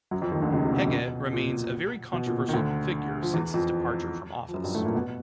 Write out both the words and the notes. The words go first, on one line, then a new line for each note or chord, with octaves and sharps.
Hege remains a very controversial figure since his departure from office.
F#2 F#3
F2 F3
D#2 D#3
D2 D3
C#2 C#3
C3
B2
B2
A#2
B2
A#2
B2
D#3
D2 D3
F3
E2 E3
F2 F3
F3
F#2 F#3
G2 G3
A2 A3
A#2 A#3
B2 B3